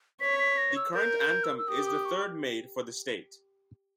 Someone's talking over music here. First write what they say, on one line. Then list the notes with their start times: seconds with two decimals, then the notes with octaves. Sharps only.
The current anthem is the third made for the state.
0.21 C#5 B6
0.39 B6
0.57 A#6
0.76 E6
0.94 A#4 G6
1.19 G6
1.44 E6
1.58 E6
1.68 G4 D#6
1.87 D#6
2.05 C#6